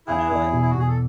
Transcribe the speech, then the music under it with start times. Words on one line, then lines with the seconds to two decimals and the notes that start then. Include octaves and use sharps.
I know, like
0.07 E2 E4 G#4
0.29 E2
0.52 B2
0.62 E4
0.70 F#4
0.74 B2 G#4
0.88 A4